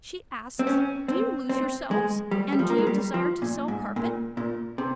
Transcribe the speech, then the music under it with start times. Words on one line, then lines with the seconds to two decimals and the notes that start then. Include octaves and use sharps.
She asks do you lose yourselves, and do you desire to sell carpet?
0.59 C4
0.67 C#4
1.08 C4
1.49 C4
1.91 G#3
2.31 G3
2.52 G3
2.59 F3
2.70 A#3
2.78 G#3
2.87 G3
3.14 F3
3.42 A#2
3.68 G#2
3.96 A#2
4.37 A#2
4.78 C3